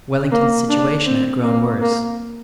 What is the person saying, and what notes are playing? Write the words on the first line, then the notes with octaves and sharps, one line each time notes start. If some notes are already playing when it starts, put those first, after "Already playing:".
Wellington's situation had grown worse.
A#3
D4
C4
A#3
A#3